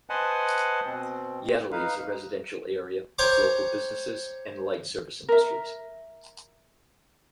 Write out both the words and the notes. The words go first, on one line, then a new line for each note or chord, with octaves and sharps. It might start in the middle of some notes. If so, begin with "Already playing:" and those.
Yateley is a residential area with local businesses and light service industries.
B4 C5 D#5 F#5 G#5 A5
B2 C4
D#4 B4 F5
C5 C#5 G5 A#5 C#6 D6
A#4 E5